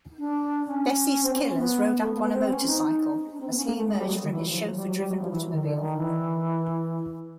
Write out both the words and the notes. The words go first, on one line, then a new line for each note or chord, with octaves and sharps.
Besse's killers rode up on a motorcycle as he emerged from his chauffeur-driven automobile.
D4
C#4
C4
C#4
C#4
B3
A3
A#3
B3
C4
C#4
D#4
D4
C4
B3
C#4
A#3
A3
G#3
G3
F#3
D#3
E3
F3
F#3
G3
F#3
G3
F#3
F3
E3
D#3
D3
D#3
E3